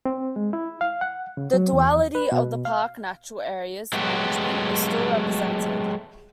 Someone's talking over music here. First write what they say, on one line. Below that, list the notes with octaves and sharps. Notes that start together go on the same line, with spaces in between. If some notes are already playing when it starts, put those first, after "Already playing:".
The duality of the park-natural area's management is still represented.
C4
G#3
E4
F5
F#5
C#3
F#3
E2
B4
B2
F5
F#3 G#3 A3 B3 F#4 G4